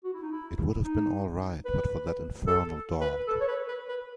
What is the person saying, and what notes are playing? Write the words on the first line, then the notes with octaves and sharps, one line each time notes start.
It would have been all right but for that infernal dog.
F#4
E4
D#4
E4
D#4
B4
A4
B4
A4
C#5
B4
B4
B4